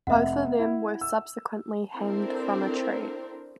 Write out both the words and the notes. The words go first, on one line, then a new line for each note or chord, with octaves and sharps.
Both of them were subsequently hanged from a tree.
F1 E5 F#5
E4
E6
C4 D4 E4 A4 A#4 C5